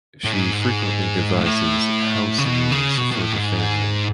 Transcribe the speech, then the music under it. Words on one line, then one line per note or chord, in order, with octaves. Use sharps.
She frequently devises "house rules" for the family.
A2
G#2
A2
C#3
B2
C#3
B2
B2
A2
G#2